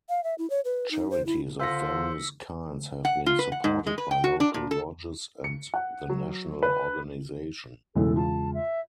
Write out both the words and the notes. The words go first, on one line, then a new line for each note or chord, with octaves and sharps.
Charities of various kinds have been supported by local lodges and the national organization.
F5
E5
E4
C#5
B4
D#4
C5
E4
D3 F4 C5 E6 A#6 B6 C#7
F#5
F4
B4
F#5
G#2
G#3
B4
G5
F#4
D4
A#2
A4
C#7
F#5
F#3
B4
B1 E2 A2 C#3 E3 G#3 A4
F4 A5
E5